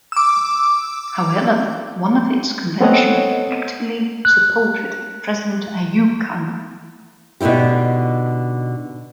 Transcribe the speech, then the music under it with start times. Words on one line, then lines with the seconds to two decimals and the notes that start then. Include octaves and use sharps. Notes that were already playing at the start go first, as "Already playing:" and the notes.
However, one of its convention actively supported President Ayub Khan.
0.12 D6 E6
2.81 B3 C4 A4 C#5 D#5 F#5
4.25 F#6
7.40 B2 D3 D#4 E4 G4